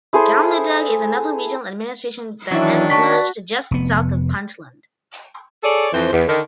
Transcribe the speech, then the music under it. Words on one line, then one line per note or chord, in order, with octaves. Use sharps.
Galmudug is another regional administration that emerged just south of Puntland.
E4 G#4 A4 C5
D#3 E3 F#3 C#4 D4 E4 C#5
F#4 D5 A5 C#6 B6
F1 B3
G#4 A4 C#5 D5
F2 E3 C5
E2
D3 D#3